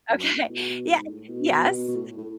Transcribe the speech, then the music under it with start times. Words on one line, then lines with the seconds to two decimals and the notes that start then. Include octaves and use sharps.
Okay. Yeah Yes.
0.10 F#2
0.29 A2
0.49 B2
0.70 B2
0.89 G#2
1.09 A2
1.29 B2
1.50 B2
1.69 B2
1.88 B2
1.95 A2
2.18 A2